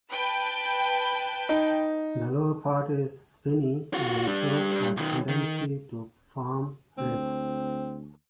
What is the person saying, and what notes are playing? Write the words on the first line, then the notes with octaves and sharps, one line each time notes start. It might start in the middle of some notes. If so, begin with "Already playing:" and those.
The lower part is spiny and shows a tendency to form ribs.
B4 G5 A5
D#4
F4 F#4
G3 D4
B1 D#3
D#3
D2 C4